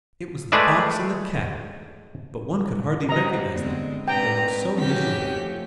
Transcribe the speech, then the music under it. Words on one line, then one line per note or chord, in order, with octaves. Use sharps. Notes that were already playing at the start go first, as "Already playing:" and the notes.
It was the Fox and the Cat, but one could hardly recognize them, they looked so miserable.
G#3 A3 G#4 B4 D5 E5
G#2 G3 F#4 C5 D#5 A#5
D3 G#3 B3 C4 D5
G#2 C3 C4 D4 B4 G5 A#5
D#3 F3 G#3 C4 C#4 F#4 G4 B6
F3 A3